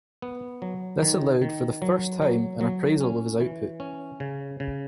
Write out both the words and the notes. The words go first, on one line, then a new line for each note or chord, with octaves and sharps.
This allowed for the first time an appraisal of his output.
B3
F#3
D#3
D#3
F#3
F#3
F#3
C#4
E3
C#4
C#3
C#3